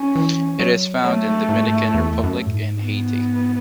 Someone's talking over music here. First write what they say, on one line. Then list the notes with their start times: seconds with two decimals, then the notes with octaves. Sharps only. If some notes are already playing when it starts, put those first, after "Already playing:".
It is found in Dominican Republic and Haiti.
Already playing: C#4
0.15 E3
0.59 F#3
1.04 F#3 A3
1.49 G#2
1.58 A2
1.68 G#2
1.94 E2
2.24 F#2
2.46 A2
2.53 G#2
2.82 B3